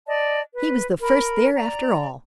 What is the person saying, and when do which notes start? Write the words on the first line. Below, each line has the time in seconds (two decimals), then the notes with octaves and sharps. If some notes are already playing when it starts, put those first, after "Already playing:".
He was the first there after all.
0.06 D5 D#5 A5
0.54 B4
1.01 A#4 B5
1.54 D5 A#5